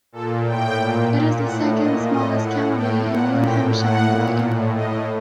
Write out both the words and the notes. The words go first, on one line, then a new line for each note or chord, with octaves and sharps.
It is the second-smallest county in New Hampshire by area.
A#2 A4
A2 G5
A#2
A#2
A2 F#5
A#2 D#5
A2 D#5
A2 F#5
A2 G5
A#2 F#5
A2 G5
A2 F#5
A#2
A2
A2 D#5